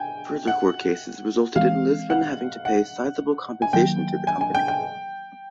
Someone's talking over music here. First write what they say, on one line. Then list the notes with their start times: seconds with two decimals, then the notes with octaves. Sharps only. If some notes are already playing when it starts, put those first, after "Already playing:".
Further court cases resulted in Lisbon having to pay sizeable compensation to the company.
Already playing: G5 G#5
0.47 F#5
1.56 E3 G#3 C4 F5
2.10 F#5
2.65 F#5
3.62 G#5
3.73 D#3 F#3 A#3 G5
4.27 G#5
4.41 G#5
4.55 G5
4.68 G5